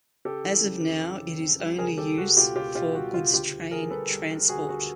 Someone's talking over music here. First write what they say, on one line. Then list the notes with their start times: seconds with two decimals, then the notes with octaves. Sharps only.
As of now it is only use for goods train transport.
0.25 C#3 G4 A4
0.44 E3
0.63 C#3
0.83 F2
1.02 E3
1.21 C#3
1.40 F2
1.59 G3
1.78 C#2 G#4 A#4
1.98 G3 G4 A4
2.17 C#2 F#4
2.37 B2 F4 G4
2.56 C#2 F4 G4
2.75 B2 F4 G4
2.94 G3 F#4
3.14 C#2 F4
3.33 D2 F4 G4
3.52 D2
3.71 D2 G#4 A#4
3.90 G3 A4 B4
4.10 G3
4.30 G3
4.48 D2 F#4 G#4
4.69 D2 F#4